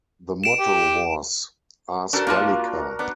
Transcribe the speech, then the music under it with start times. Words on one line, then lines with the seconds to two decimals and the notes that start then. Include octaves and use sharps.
The motto was "Ars gallica".
0.44 D7 E7
0.59 G4
2.13 D4 F#4 A4 A#4 C5
2.27 A#3 D4 F4 A#4 A5
2.99 B3 D4